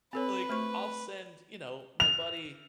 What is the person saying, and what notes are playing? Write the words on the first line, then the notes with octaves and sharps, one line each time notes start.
like, I'll send you know, my buddy,
C4 A4 B4 C#5
A3 C5 C#6
F7